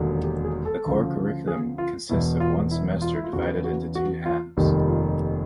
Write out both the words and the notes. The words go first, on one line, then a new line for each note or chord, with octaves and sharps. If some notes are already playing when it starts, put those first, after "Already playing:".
The core curriculum consists of one semester, divided into two halves.
Already playing: E1 D#2 D3 F#3
G4
G#4
A4
D2 C#3 F3
G#4
F4
E1 E2 B2 E4
F4
E4
F4
E4
F4
E2 C#3 E3 F#4
F#4
F#4
F4
F1 D#2 D#3 G3
F4